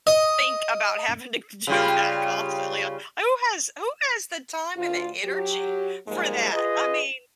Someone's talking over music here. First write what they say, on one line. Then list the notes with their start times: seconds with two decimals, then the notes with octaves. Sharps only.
think about having to do that constantly, uh, who has who has the time and the energy for that, I mean,
0.07 D#5
1.67 C#3 G3 F4
4.77 D2 F4
5.23 F#3 G4
6.07 G#2 F3 G3 G#3 A#3
6.53 F4 G#4 B4 D#5